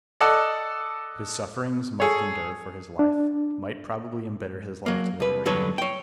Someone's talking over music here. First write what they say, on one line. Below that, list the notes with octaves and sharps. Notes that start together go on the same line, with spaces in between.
But his sufferings must endure for his life--might probably embitter his life to the very end.
A4 D5 D#5 F#5 A5 E6
G#4 A4 C#5
D4
F#3 A#3
C2 B4
G2 D3 F#3 A4 B4 C#5
C#5 G5